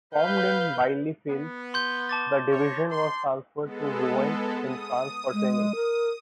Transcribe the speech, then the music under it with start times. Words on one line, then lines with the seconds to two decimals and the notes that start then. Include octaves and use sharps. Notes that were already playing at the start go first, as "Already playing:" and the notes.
Formed in Bielefeld, the division was transferred to Rouen in France for training.
0.15 B4 F5 G6
1.30 B3
1.74 C6 G6 G7
2.09 A5 D6 A6
2.51 C#5
2.91 C6
3.62 G#3 B3 A4
4.60 D#6
5.33 G#3
5.75 A#4